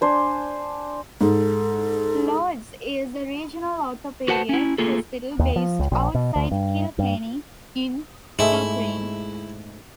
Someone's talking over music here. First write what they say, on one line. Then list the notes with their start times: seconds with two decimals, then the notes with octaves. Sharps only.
Lourdes is the regional orthopaedic hospital based outside Kilkenny in Kilcreene.
0.01 D4 C5 G#5
1.21 G#2 A4
4.28 F#4 B4 C5 F#5 G#5 A5
4.49 C#4 E4
4.78 A3 A#3 F4 G#4 A4
5.39 D#2
5.56 F3
5.79 C#2
5.92 A#1
6.15 B2
6.36 D2
6.51 G2
6.99 G2
8.39 G#2 G#3 A3 E4